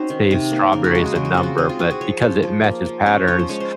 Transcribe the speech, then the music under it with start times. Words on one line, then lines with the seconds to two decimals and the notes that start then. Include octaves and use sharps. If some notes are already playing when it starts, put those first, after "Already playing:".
saves strawberry as a number but because it matches patterns,
Already playing: C4 C#4 D#4 F#4 C5
0.10 D#3
0.31 C3
0.52 A#3
0.73 C#3 A#4
0.84 F#4
0.95 G#3 G#4
1.06 F#4
1.15 C#3 G#4
1.25 F#4
1.34 C4 F4
1.43 F#4
1.58 C4 G#4
1.69 F4
1.79 C4 F#4
1.91 G#4
2.01 F3 C#5
2.22 F3
2.43 F3
2.64 A#3
2.86 F3
3.06 C#4
3.28 F3 C#5
3.39 C5
3.49 G#3 C#5
3.60 C5